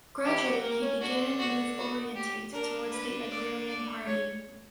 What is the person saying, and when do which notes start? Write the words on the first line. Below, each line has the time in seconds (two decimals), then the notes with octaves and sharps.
Gradually he began move orientate towards the agrarian party.
0.25 E3 E4 G4
0.44 F#3 F#4
0.63 A#3 A#4
0.82 C#4
1.01 D3 D4 F#4
1.39 F#4
1.78 F#4
2.15 G4
2.53 D3 D4 A#4
2.92 B4
3.30 D5
3.68 D5
4.06 C#5